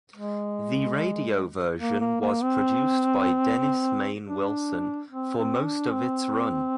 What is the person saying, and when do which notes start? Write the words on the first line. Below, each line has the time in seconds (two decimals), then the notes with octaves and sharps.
The radio version was produced by Dennis Main Wilson for most of its run.
0.14 G#3
1.80 A#3
2.01 A#3
2.21 A#3
2.42 C4
4.28 D4
5.10 C4
5.37 C4
5.65 D4
5.92 C4